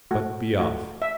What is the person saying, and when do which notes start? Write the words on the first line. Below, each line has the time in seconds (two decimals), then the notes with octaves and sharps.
But be off!
0.11 A3 F#4
0.59 A3 F#4
1.02 E5